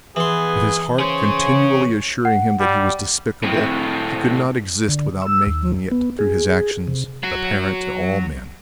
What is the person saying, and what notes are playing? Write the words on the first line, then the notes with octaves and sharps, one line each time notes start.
With his heart continually assuring him that he was despicable, he could not exist without making it, through his actions, apparent to all men.
E3 B3 G#4 C6
C#4 G#4 C5 C#5
F#5
G3
A2 C4
D3
E6
D#2
B3
G#4
C3
F#3 F#4